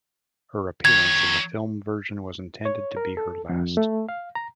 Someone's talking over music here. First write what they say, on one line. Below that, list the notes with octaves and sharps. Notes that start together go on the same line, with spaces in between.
Her appearance in the film version was intended to be her last.
D#3 C#5 G#6
C#5
A#4
A4
F2
A3
F5
A#5